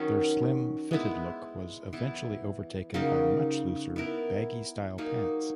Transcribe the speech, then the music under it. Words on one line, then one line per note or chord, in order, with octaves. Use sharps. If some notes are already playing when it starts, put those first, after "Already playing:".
Their slim, fitted look was eventually overtaken by much looser, baggy-style pants.
Already playing: D#3 F#3 C#4
G#3 B3 E4
E3 B3 E4
C#3 F#3 A#3 D#4
B3 E4 A#4
F#3 A#3 D#4 G#4